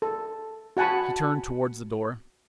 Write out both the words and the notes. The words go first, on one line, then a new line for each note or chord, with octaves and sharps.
He turned towards the door.
A4
F#4 F#5 G#5 A5 B5